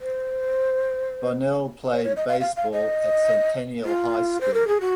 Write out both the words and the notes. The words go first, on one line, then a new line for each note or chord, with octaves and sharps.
Bonnell played baseball at Centennial High School.
C5
C#5
C#5
D#5
F5
F5
F5
D#5
F4
C5
A#4
G#4
F#4